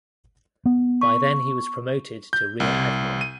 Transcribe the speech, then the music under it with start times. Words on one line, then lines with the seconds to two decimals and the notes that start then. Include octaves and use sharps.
By then he was promoted to rear admiral.
0.66 B3
1.01 C#6
2.33 G6
2.60 C2
3.21 D#7